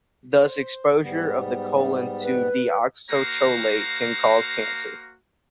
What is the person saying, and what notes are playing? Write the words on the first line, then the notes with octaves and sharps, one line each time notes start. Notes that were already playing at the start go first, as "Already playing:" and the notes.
Thus, exposure of the colon to deoxycholate can cause cancer.
C5
G#2 G3 B3
B4
A#3 F#4 C5 F5 A#5